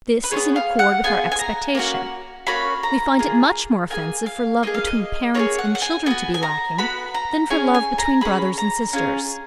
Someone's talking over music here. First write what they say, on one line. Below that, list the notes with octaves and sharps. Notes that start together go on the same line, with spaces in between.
This is in accord with our expectation; we find it much more offensive for love between parents and children to be lacking than for love between brothers and sisters.
B4
F4 G#4 C#5
B3
F5
F#5
B3 F4 G#4 G#5
G#5
A#5
A#3 C#4 F#4
A#3 C#4 F#4 B5
A#5
A#3 F4 G#4
A#3 F4 G#4 G#5
F5
A#3 F4 G#4 D#5
F5
D#5
A#3 F4 G#4 C#5
F#5
F#5
G#5
B3 F#4 G#5
G#5
A#5
B3 F#4 B5
A#5
C#4 G#4 G#5
G#5
A#5
C#4 G#4 B5
A#5
C#4 F4 G#4